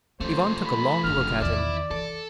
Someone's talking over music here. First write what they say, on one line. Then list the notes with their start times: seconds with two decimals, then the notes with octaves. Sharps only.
Ivan took a long look at him.
0.20 F3 A3 C#4 C5
0.66 B5
1.04 F#1 D4 F6
1.42 E2 D#3 E4 D5
1.91 E3 A4